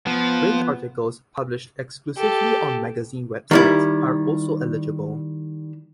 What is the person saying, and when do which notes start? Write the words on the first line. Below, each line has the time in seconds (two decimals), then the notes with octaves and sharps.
Print articles published exclusively on magazine websites are also eligible.
0.07 F3 B3
2.17 G4 A4
3.51 D#3 G3 E4